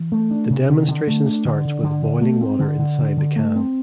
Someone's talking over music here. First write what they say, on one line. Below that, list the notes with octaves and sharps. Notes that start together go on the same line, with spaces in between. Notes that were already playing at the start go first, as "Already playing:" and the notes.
The demonstration starts with boiling water inside the can.
Already playing: E3
A3
D4
C3
D3
D3
A3
D4
D3
D3
D3
D3
A3
C4
D3
D3
D3
D3
A3
C4